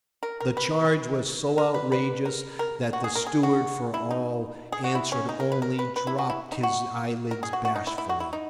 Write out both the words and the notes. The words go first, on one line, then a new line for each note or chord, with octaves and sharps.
The charge was so outrageous that the steward for all answer only dropped his eyelids bashfully.
A#4
A#4
B4
A#4
B4
B4
A#4
A#4
F#4
G#4
A#4
G#4
F#4
E4
D#4
G#4
F#4
E4
C#4
D#4
A#4
B4
A#4
B4
B4
E4
F#4
E4
D#4
F#4
A#4
G#4
F#4
F#4
D#4
E4
E4
F#4
E4
D#4